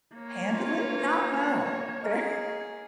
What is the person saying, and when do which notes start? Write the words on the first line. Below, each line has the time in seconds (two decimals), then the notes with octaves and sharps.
handle it? Not well, very,
0.15 A#3 C#5
0.51 F4
0.89 D4 B4
2.03 G#4 D#5 A#5 F6